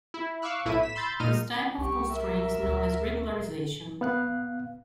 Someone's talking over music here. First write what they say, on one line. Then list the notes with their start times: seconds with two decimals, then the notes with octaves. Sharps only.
This type of constraint is known as regularization.
0.14 E4
0.42 F5 C#6 D6 E6 F#6
0.65 B1 A2 E4 E5 D#7
0.83 B6 E7
0.95 B5 C6 E6 G6 A6
1.20 A#2 D#4 F6 D#7
1.78 C2 G4 C#6
2.14 A#4 E5
2.63 D2
4.01 B3 F5 F#6